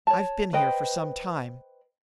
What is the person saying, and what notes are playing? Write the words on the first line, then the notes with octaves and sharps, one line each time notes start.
I've been here for some time.
C#5 A5
B4 C5 D#5 G5